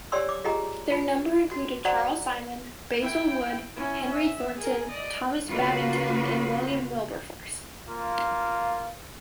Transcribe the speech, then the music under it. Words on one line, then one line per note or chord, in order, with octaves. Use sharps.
Their number included Charles Simeon, Basil Woodd, Henry Thornton, Thomas Babington and William Wilberforce.
G4 C#5 D5 G#5 C6 E6
D6
F4 G4 G#4 D#5 G#5 A#5
F4 B5
F#4
F#4 C5 D5 F#5 G#5 A#5
E4 G5
C#4 E4
E5
G#4 A#4
D5 D#5
C#3 A#3 F4 F#4 B4
A#3 F4